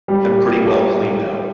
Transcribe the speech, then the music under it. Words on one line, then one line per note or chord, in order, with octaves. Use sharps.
I'm pretty well cleaned out.
G3